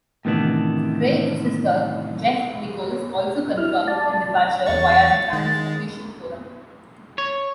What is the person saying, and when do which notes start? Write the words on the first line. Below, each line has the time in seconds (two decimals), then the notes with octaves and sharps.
Craig's sister, Jess Nicholls, also confirmed their departure via the band's official forum.
0.25 A2 C3 D#3 E3 B3 D4
3.57 E4 F6
3.88 D5 A5
4.66 E2 C#6 A6
5.33 D#3 G#3
7.18 C#5